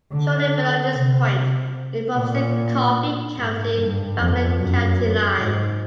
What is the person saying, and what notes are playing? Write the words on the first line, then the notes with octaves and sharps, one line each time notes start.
Shortly below this point, it forms the Coffee County - Franklin County line.
D3
C3
A#2
G#2
G2
F2
F#2
G#2